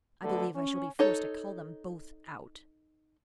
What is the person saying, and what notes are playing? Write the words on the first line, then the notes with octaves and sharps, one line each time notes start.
I believe I shall be forced to call them both out.
B2 D3 A3
C#4
D#4 A4 C#5